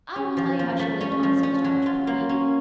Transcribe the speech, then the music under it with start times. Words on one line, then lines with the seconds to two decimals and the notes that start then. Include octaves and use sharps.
I will tell you how she lived on six dollars per week.
0.16 C#4
0.37 F3
0.59 F3
0.79 A3
1.01 C#4
1.23 F3
1.43 C#4
1.64 F#3
1.86 F4
2.07 A#3
2.29 C#4